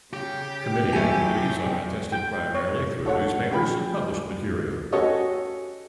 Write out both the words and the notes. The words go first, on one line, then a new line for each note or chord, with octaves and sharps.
Committee activities are attested primarily through newspapers and published material.
C#3 G4
F#2 E3 F#3 A3 G#5
G5
C#5
A4 C#5 F#5
C#3 G5 B5
C#4 F#4 G4 A4 C#5 D#5